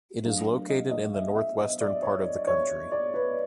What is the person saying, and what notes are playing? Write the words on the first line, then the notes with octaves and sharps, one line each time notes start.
It is located in the northwestern part of the country.
F#3 A3 D4 F5
D#5
D#5
E5
E5
D#5
D5
C#5
C#5
D5
B4